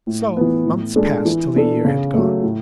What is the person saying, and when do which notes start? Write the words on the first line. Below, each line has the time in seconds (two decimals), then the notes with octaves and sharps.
So months passed till a year had gone.
0.07 A2
0.37 E3 B3
0.66 A2
0.96 G#3 D4 A4
1.25 E3
1.55 B3 D4 A4
1.85 C#3
2.14 F#3 A3
2.43 A2